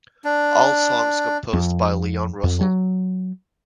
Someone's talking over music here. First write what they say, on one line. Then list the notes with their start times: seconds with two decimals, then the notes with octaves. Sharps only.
All songs composed by Leon Russell.
0.24 D4
1.53 F2
2.44 F2
2.61 F#3